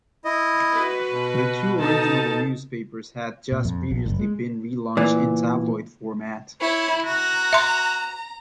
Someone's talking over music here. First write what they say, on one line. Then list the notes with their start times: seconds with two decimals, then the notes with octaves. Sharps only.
The two original newspapers had just previously been re-launched in tabloid format.
0.25 E4 D#5
0.73 F#4 B4
1.12 B2
1.78 D#4 A4 A5
3.52 A#2
3.65 F2
3.91 A#1
4.06 F#1
4.19 G#3
4.97 A#2 E3
6.61 E4 C#5
7.06 F#4 A#5
7.53 E5 C6